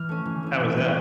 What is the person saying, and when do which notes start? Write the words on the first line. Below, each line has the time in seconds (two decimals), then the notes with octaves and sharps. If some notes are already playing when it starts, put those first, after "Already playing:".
How was that?
Already playing: E3 F6
0.09 A3 C#4
0.25 E3
0.43 A3 C#4
0.60 B2
0.77 G3 A#3 C#4